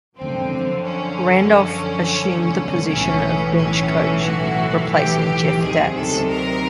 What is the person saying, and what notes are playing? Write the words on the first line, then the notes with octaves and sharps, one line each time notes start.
Randolph assumed the position of bench coach replacing Jeff Datz.
F#2 D3 F3 C4
C#4
B1 A2 E3 C#4
C#4
F#4
G4
D2 C3 D#3 F#3 G#4
A4
A#4